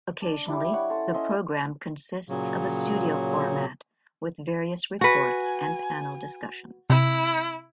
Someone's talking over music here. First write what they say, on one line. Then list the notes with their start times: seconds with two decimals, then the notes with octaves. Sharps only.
Occasionally, the programme consists of a studio format with various reports and panel discussions.
0.22 D4
0.48 G3 E4
0.73 C#5 F#5
0.90 C#4 A4 C6
1.14 C#4 D#5 E5 C6
2.29 A#2 C#3 F#3
5.01 F#4 B4 G#5
6.90 C3 E4